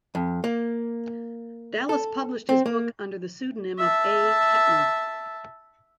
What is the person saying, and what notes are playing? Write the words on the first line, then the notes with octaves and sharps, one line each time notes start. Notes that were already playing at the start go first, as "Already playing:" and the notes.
Dallas published his book under the pseudonym of A. Kettner.
F2
A#3
A4
C4
A#3
E5 A5